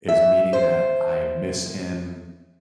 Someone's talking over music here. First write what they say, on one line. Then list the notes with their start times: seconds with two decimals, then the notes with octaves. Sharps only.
is meaning that I miss him,
0.08 E5
0.53 C5